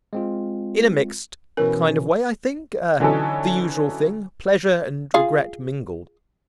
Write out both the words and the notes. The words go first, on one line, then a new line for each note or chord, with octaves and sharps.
"In a mixed kind of way, I think; the usual thing: pleasure and regret mingled."
G#3 C4 F4
B2 E3 C#4 A#4
D3 E3 F#3 C#4 D#4 A4
F4 G#4 F5